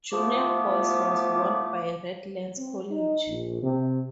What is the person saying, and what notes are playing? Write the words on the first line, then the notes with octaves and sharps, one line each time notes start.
Junior boys was won by Redlands College.
C2 F3 A3 B3 F4 D6
C4
D#4
A#1
C3